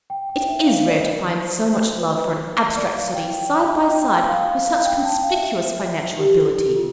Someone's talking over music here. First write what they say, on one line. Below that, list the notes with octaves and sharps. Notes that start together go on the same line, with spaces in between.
'It is rare to find so much love for an abstract study side by side with such conspicuous financial ability.'
G5
G5
E5
F5
D5
C5
B4
D5
F5
G5
G5
G5
F5
F5
F5
G5
A5
G5
F5
E5
G4
A4
G4
F4